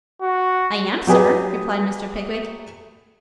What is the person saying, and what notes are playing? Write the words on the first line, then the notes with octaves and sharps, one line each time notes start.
'I am, sir,' replied Mr. Pickwick.
F#4
F#3 G4 G#4 B4